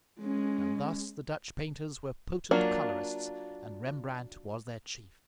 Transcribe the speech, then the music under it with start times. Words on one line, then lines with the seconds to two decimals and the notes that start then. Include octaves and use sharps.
And thus the Dutch painters were potent colorists, and Rembrandt was their chief.
0.20 G#3 C#4
2.51 F#3 A#3 D4 F4